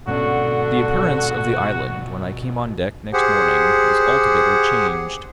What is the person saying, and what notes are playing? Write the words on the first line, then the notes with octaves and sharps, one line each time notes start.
THE appearance of the island when I came on deck next morning was altogether changed.
G#2 B2 D3 C#4 F#4
G4 G#4 C5 F#5